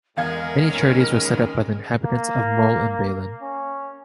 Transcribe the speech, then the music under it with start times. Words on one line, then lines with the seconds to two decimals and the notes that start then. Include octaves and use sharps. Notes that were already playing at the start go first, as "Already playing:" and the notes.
Many charities were set up by inhabitants of Mol and Balen.
0.17 E2 A2 G#3 A#4 F5 G#6
0.70 D#2 C#4
2.05 A#3
3.41 C#4